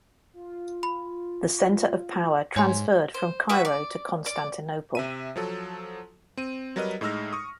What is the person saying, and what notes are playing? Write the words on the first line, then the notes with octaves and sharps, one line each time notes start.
The centre of power transferred from Cairo to Constantinople.
F4
B5
G#2 C#5 G#5 C6
C5
F#4 B4 E5
D5
D5
C3 E5 D#7
F3 F#3 A4
C4 D#7
F#3 G3 A#4 B4 D#5
A2 G#3 D#4 E6 F6 A#6
C#6 D#6